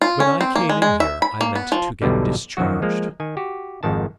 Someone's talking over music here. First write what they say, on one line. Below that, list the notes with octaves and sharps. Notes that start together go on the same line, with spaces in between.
When I came in here I meant to get discharged.
F4
C#4
C4
A#3
G#3
G#3
E5
B5
A#3
B3
F3
B1 E2 G2 B2 D3 G3
F#2 D#3 F3 F#3 F#4
F3 G#3 A#3
D#3 G#5
F#4 G4
G#1 F2 G#2 D#3 A5